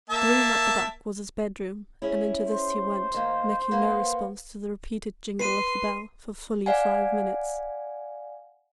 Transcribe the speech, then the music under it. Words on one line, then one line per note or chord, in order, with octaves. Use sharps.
The room at the back was his bedroom, and into this he went, making no response to the repeated jingle of the bell for fully five minutes.
A#3 E5 A5
C#4 E4 G#4
C5
D#3 A#3
A#3 B3
B4 C6 C7 D#7
D5 F5 F#5 G#5